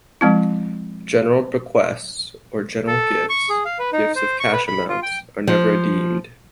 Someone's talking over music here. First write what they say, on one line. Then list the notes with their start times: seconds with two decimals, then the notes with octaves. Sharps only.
General bequests or general gifts - gifts of cash amounts - are never adeemed.
0.21 F3 G#3 C4 E4
2.87 A4
3.29 C#6
3.49 G#4
3.65 F5
3.79 B4
3.93 D#4
4.16 C5
4.40 C#6
4.53 B4
4.67 B5
4.89 F4
5.02 G5
5.47 F3